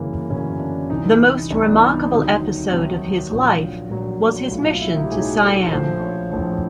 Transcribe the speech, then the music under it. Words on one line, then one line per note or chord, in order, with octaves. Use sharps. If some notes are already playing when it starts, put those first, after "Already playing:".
The most remarkable episode of his life was his mission to Siam.
Already playing: G1 F#2 C#3 E3 A#3
G1 F#2 C#3 E3 C#4
D4
C2 C3 E3 D#4
C2 C3 E3 D4
B3
D#4
D2 C3 D#3 F#3
D2 C3 D#3 F#3
A#1 A#2 F#3 F4
A#1 A#2 F#3
B1 A2 F#3 F4
F4
E4
D#4
G4
B1 A2 F#3 G#4
A4
A#1 A2 F3 C5
C#5
A#1 A2 F3 C5